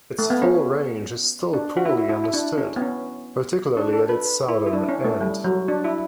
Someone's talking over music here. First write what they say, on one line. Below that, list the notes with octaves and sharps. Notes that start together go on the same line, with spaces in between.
Its full range is still poorly understood, particularly at its southern end.
A3
B3
C#4
D4
F#4
E4
E4
E4
D4
C#4
B3
C#4
D4
A4
B4
B4
E4
E4
D4
C#4
A3
G3
F#3
D4
E4